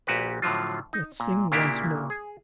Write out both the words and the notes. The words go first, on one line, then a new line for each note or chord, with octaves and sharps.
Let's sing once more!
A#1 A#2 F#4 G4 B4
A2 D3 F3 F#3 F4
D#4
A#2
A#2 C#3 A#3 D4 E4 G4
G#4